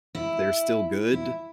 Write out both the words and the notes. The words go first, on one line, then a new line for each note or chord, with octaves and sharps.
they're still good
E4
E4